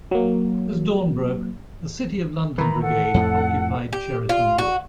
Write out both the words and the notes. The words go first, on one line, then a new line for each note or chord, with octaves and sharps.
As dawn broke, the City of London Brigade occupied Cheriton Wood.
F#3 A#3
D#3 E3 A#5 B5
A4 F#5
F2 A2
G4
F4
F#4